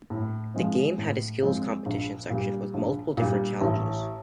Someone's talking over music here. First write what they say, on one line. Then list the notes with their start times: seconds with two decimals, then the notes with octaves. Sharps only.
The game had a skills competition section with multiple different challenges.
0.10 A2
0.54 F3 G#3 C4
0.98 A2
1.42 F3 G#3 C4
1.86 A#1
2.30 A#2 G3
2.74 A#1
3.17 A#2 G3
3.61 A1